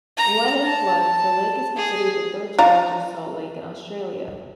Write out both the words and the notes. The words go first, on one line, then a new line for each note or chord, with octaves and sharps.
When in flood, the lake is considered the third largest salt lake in Australia.
A#5
A5
G#4
F4 D5 A#5